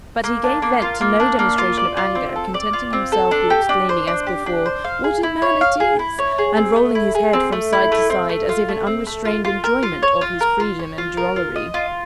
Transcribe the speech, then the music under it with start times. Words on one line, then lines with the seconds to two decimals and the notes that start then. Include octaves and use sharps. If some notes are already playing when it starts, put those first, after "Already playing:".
But he gave vent to no demonstration of anger, contenting himself with exclaiming as before, 'What a man it is!' and rolling his head from side to side, as if in unrestrained enjoyment of his freedom and drollery.
0.24 A#3
0.44 D4
0.62 A#3
0.82 F4
1.01 A#3
1.20 D4
1.39 A#3
1.58 F4
1.77 D5
1.97 F4
2.15 C4
2.36 A4
2.54 D5
2.73 F4
2.93 C4
3.12 A4
3.31 D4
3.50 G4
3.69 D4
3.89 C5
4.07 D4
4.26 G4
4.46 D4
4.66 C5
4.84 F5
5.04 G#4
5.23 E4
5.42 C#5
5.61 F5
5.80 G#4
5.99 E4
6.19 C#5
6.38 G#4
6.57 C4
6.76 A3
6.95 E4
7.15 G#4
7.33 C4
7.52 A3
7.73 E4
7.92 A3
8.10 C4
8.29 A3
8.49 F4
8.68 A3
8.87 C4
9.07 A3
9.25 F4
9.45 F4
9.64 A#4
9.83 F4
10.02 C#5
10.21 F4
10.40 A#4
10.60 F4
10.79 C#5
10.98 F4
11.17 A#4
11.36 F4
11.56 D#5
11.74 F4